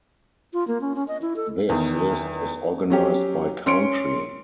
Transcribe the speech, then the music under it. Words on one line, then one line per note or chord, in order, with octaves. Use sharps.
This list is organized by country.
F4
A#3
C#4
C#4
D#5
E4
A4
E2 D#3
F#3 C#4 G4
C#4 C6 C#7 D7